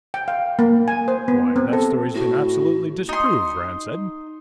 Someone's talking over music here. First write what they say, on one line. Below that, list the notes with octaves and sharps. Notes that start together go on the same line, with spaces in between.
"Why, that story's been absolutely disproved," Rand said.
G5
F5
A#3
G#5
C5
B3
C4
A4
A2 F#4
D#4 C6